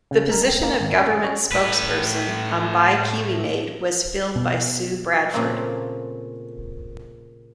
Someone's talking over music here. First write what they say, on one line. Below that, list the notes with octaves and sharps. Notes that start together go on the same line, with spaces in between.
The position of government spokesperson on Buy Kiwi Made was filled by Sue Bradford.
C#3
A#4
G5
A#3
G#1
C#4
G#4
C#4
A2 B4
B2
A#2 C#3 F3 A3 A#3 C4